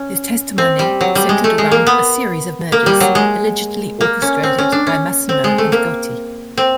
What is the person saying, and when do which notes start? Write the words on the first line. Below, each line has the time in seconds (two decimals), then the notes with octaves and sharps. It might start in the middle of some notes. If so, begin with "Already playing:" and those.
His testimony centered around a series of murders allegedly orchestrated by Massino and Gotti.
Already playing: C#4
0.58 C4
0.79 G3
1.01 F#3
1.15 G3
1.29 G#3
1.44 A3
1.58 G#3
1.72 A#3
1.87 B3
2.72 A#3
2.86 G3
3.00 F#3
3.15 G#3
4.01 A#3
4.22 C#4
4.43 C4
4.58 C#4
4.72 D4
4.87 C#4
5.29 C4
5.44 G#3
5.58 A3
5.72 A#3
6.57 C4